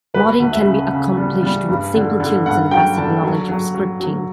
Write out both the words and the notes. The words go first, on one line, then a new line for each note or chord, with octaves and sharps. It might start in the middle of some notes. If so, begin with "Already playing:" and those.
Modding can be accomplished with simple tools and basic knowledge of scripting.
D2 B4
D2
E5
C#3
C#3
G3
G3
G2
D3
D3
G2 F#5
F#3 G5
D3 A5
F#3
F#3
F#3
F#3